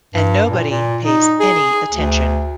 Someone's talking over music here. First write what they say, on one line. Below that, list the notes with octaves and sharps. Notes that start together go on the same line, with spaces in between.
And nobody pays any attention.
G2
A#2
A#2
D#4
G#4
D2